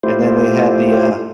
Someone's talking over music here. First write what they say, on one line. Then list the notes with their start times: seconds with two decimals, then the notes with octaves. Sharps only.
and then they had the, uh
0.03 A3 E4 F4 G4 C5